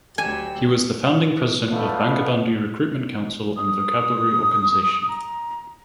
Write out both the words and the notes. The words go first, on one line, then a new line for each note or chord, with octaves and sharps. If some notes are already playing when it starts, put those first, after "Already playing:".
He was the founding president of Bangabandhu Recruitment Council and vocabulary organization.
D2 F#3 G4 G#5 E6
F2 B2 D3 F3 A3 B3
D#6
A#5